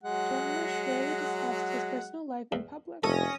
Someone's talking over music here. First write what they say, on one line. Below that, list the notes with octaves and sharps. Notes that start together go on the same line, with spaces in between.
Jarmusch rarely discusses his personal life in public.
F#3 G#3 F#5
E2
F1 C#4 A4 D#6 A#6